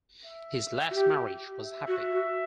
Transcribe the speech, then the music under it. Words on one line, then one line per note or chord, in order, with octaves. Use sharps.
His last marriage was happy.
E5
F#4
G4
E5
F#4
F#4